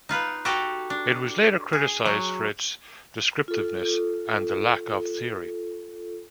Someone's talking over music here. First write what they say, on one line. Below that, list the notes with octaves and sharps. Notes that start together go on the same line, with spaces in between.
It was later criticised for its descriptiveness and the lack of theory.
D#4 F4 B4
F#4 G4 A4 D#5 G5 A#5
D4
G#4
F#3
F4 A4